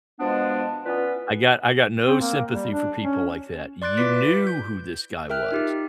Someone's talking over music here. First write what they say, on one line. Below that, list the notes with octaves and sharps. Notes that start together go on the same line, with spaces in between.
I got I got no sympathy for people like that. You knew who this guy was.
B2 F3 G#3 B3 D4
E3 B3 C#4 F4 B4 D5
C4
A#3
G3
D4
C#4
D5 C6 F#6 A6 D7
E4 F4 B4 D6 B6 D7
G6
A#4 E5 G5 F6 F#6
D#4 F4 G4